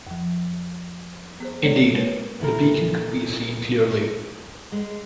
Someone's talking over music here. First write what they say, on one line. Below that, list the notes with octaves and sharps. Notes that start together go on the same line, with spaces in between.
Indeed, the beacon could be seen clearly.
F2 F3
B3 G#4 C5
G#3 B3 D4 A4 C#5 D5
G#3 A#3 A#4 B4 C#5
A#2 E4 A4 A#4
G#3